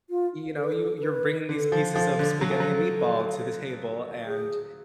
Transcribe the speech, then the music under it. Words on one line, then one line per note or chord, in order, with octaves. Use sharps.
you know, you you're bringing these pieces of spaghetti and meatball to the table, and
F4
A4
B4
A4
A4
B4
D3 A4
F3
F3 A4
D3
F#3
F3
F#3
G#4